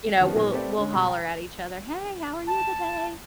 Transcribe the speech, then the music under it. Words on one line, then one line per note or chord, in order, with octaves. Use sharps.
you know, we'll we'll holler at each other, "Hey, how are you today?"
D#3 F3 B3 C#4
A#2 F#3 B3 D#4 G#4
A3 C4 G4 B4 D5
D3 G#3 C#4
B2 G3 B5
G5 A#5
A5